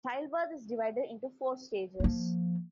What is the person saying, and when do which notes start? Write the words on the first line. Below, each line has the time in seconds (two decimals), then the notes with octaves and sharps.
Childbirth is divided into four stages.
2.00 F3 A#3